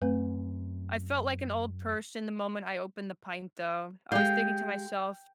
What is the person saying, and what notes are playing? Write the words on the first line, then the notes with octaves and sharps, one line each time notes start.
I felt like an old person the moment I opened the pint though. I was thinking to myself,
F#2 A3 C4 B4
G#3 G4 F5 G5 G6